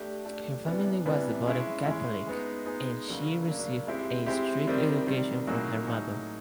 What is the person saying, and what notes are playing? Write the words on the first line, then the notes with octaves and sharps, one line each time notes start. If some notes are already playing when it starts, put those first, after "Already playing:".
Her family was devout Catholic and she received a strict education from her mother.
Already playing: A3 D4 G4
A3 D4 G4
C3 E3 G3 B3 D4
C3 E3 G3 B3 D4
G#3 C#4 E4
G#3 C#4 E4
G#3 B3 D#4
G#3 B3 D#4
C#3 F#3 A#3 D4
C#3 F#3 A#3 D4
G#3 C4 E4 G4
G#3 C4 E4 G4
C3 D#3 G3 C4
C3 D#3 G3 C4
A2 F#3 A#3 D#4 G#4
A2 F#3 A#3 D#4 G#4